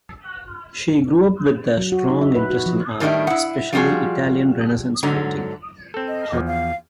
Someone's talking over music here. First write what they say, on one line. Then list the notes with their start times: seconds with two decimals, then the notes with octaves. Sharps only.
She grew up with a strong interest in art, especially Italian Renaissance painting.
1.77 F#3
1.92 F#4
2.10 D#4
2.22 E5
2.35 B4
2.50 F#4
2.66 F3
3.00 A2 D#3 G3 A3 D4 E4
3.27 E4 F#5
3.73 F3 G3 F4 F#4 G#4
5.03 G#2 D3 F#3
5.94 C4 A4
6.08 D#5
6.32 E2 F3
6.47 F5